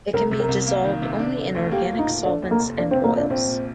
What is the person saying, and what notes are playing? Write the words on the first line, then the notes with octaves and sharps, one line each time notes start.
It can be dissolved only in organic solvents and oils.
C2 A#4
C3
A#4
C2
A#3
D#3
C3
D4
D3
D2
A#3 G4
A#2
D#4
A#1
A3 D4
D#2
A#3
F1
A#3 D4
C4
C3
A#3
F2 D4
A#1 C4
A#2